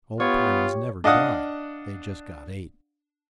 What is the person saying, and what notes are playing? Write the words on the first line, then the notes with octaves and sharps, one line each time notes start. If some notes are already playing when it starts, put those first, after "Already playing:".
Old Pyrrans never died, they just got et.
B3 F4 G4 C#5
D4 D#5 F5 F#5 D#6